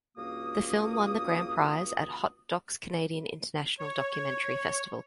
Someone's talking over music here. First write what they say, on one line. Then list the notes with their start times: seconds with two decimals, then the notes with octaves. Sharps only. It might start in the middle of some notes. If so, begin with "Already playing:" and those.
The film won the grand prize at Hot Docs Canadian International Documentary Festival.
0.17 C#2 G2 A#3 F#4 D#6
3.80 C#5